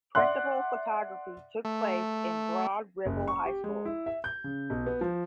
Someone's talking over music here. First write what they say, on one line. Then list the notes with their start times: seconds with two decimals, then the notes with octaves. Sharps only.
Principal photography took place in Broad Ripple High School.
0.15 D5 E5 F#5 C6 F#6
1.65 A3
3.06 F#1
3.28 C#6
3.46 G4
3.64 G#3
3.85 E4
4.06 E5
4.24 G6
4.44 C#3
4.70 B1
4.86 B3
5.01 F3